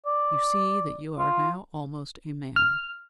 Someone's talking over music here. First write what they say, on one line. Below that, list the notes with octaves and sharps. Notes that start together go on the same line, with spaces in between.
You see that you are now almost a man.
D5
F4
F6